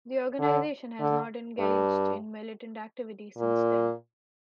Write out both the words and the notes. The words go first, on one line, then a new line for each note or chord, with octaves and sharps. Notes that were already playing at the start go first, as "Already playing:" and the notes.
The organization has not engaged in militant activity since then.
D3
D3
G2
A#2